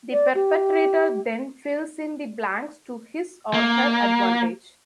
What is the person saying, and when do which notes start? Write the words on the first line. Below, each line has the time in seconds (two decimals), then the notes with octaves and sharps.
The perpetrator then fills in the blanks to his or her advantage.
0.12 D5
0.35 G4
3.54 A#3